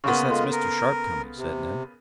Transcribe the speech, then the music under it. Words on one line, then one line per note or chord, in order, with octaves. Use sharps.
"Guess that's Mr. Sharp coming," said Ned.
C#3 A#3 B3 F#5 C6 C#6
G#3 F4 A4 C6
A#4
C3